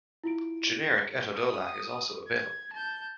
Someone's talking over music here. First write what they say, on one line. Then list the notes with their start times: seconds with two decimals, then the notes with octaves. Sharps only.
Generic etodolac is also available.
0.24 E4 F4 D7
1.35 D#6
2.27 G#6
2.73 A5 G6